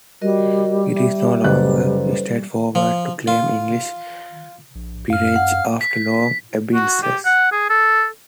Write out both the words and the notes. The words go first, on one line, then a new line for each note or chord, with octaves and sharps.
It is no longer straightforward to claim English peerages after long abeyances.
G3 F#4 A#4 D#5
E5
F#1 A4 B4 C5 F#6
F3
F4
A#1
F#2 F5 F6
F#5
B6
F#4
G4
F#5
G#4
A4